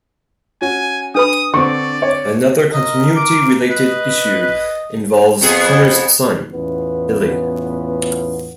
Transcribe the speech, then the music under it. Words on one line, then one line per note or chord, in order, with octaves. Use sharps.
Another continuity-related issue involves Connors' son Billy.
C#4 F#4 G#5
D4 B4 B5 D#6
D3 C4 D5 C#6
C#5
A#4 D#5
D6
B4 D#5
F2 B3 G#4
E2 A2 B3 C#4 F4 B4